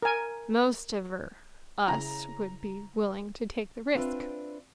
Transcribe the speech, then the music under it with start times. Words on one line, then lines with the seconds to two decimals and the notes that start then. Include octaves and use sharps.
"Most of--er--us would be willing to take the risk."
0.02 A#4 G#5
1.88 C#3 E4 A#5
3.95 C4 D4 F4 B4 E5